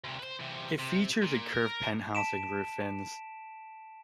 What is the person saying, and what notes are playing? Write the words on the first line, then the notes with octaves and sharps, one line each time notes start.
It features a curved penthouse and roof fins.
D2 C3
B4 C5
E2 C3
C3
A#2
A#4
A5 B6 D7 E7